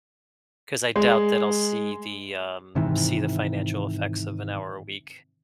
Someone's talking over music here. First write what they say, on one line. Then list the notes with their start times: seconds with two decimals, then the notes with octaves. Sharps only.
'cause I doubt that I'll see the, um see the financial effects of an hour a week.
0.96 G#3
2.75 G#2 C3 D#3 E3